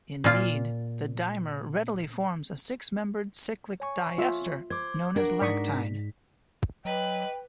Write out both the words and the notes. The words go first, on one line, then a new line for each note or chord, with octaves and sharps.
Indeed, the dimer readily forms a six-membered cyclic diester known as lactide.
A#2 F4
C#5 G#5 C#6
F4 E5 E6
C5 D6 G#6
D4 F#4 A#4
G#2 D5 C#6 D#6 B6
F#3 B4 D#5 G5